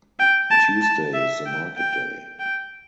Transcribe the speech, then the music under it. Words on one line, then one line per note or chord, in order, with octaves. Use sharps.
Tuesday is the market day.
G5
A5
A5
E5
G5
G5
G5